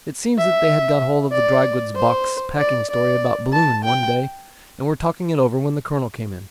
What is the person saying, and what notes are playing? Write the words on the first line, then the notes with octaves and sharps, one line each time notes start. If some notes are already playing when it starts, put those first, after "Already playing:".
It seems that they had got hold of the dry-goods box packing story about Balloon, one day, and were talking it over when the Colonel came in.
E5
D5
C5
D5
D5
A5
G5